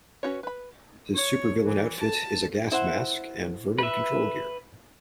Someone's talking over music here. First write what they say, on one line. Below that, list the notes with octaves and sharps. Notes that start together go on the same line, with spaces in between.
His supervillain outfit is a gas mask and vermin control gear.
C#4 F#4 B4 C#5
B4 B5
C#5
E3
A5
E4 C5 F#5
B4 E5